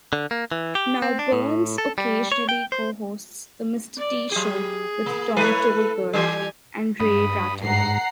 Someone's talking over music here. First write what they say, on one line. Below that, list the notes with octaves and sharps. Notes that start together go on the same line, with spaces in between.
Now Byrnes occasionally co-hosts the Mr. T. show with Tom Tolbert, and Ray Ratto.
D3
A#3
E3
G4
C4
D4
A2
A4
G3
C#5
G5
C5
D5
F#3 G4 G#4
A#3
A3 E4 B4 C#5
A4
E3 G3 G4 G#5
G2 B5 D#6
G#2 F#5 A#5 C7